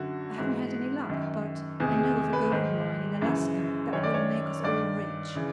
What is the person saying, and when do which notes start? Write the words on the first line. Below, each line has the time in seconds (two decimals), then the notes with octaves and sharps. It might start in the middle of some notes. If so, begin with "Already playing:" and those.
I haven't had any luck, but I know of a gold mine in Alaska that will make us all rich.
Already playing: F#2 D3 F#4
0.38 G#2 E3
1.09 F#2 D#3
1.80 E2 C3 D#3 G#4
1.98 G#4
2.33 B4
2.51 G#2 D#3 C5
3.21 F#2 C#3 E3
3.93 F#2 D#3 C#5
4.03 D5
4.14 C#5
4.64 G2 D#3 D5
5.35 C#3 E3